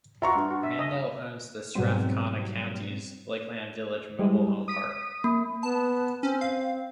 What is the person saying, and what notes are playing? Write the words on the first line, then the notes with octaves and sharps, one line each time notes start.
Mandel owns the Strathcona County's Lakeland Village mobile home park.
F4 F#4 E5 A#5 C#6
G2
F#4
E5
D#5
G#2 B2 F#3 G3 C4
G3 G#3 E4
D#6 B6 D#7
A#3
B3 A5
C4 C#4
F5